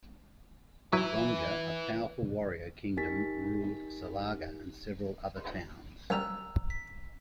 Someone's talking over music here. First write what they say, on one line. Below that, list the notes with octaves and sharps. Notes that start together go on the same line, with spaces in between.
Gonja, a powerful warrior kingdom, ruled Salaga and several other towns.
F#3 E4 B4 E5
D#4 G4 A#4 G#5 A6 B6
F#2 G3 A#5 E6 F#6
B6